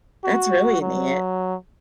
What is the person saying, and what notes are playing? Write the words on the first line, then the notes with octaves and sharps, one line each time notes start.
That's really neat.
F#4
F#3